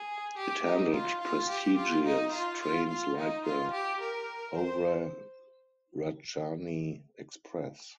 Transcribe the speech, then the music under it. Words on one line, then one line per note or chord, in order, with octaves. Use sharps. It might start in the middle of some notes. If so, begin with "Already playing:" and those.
It handled prestigious trains like the Howrah Rajdhani Express.
Already playing: G#4
G4
D#4
F4
F4
G4
F4
D#4
F4
F4
F4
D#4
F4
G4
A#4
C5